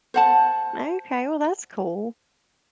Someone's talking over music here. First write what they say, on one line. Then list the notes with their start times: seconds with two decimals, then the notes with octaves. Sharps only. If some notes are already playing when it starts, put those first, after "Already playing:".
Okay, well, that's cool.
0.14 C5 F#5 A5